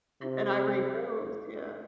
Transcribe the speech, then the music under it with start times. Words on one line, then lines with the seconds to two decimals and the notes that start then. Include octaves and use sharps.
and I read those, yeah.
0.22 C3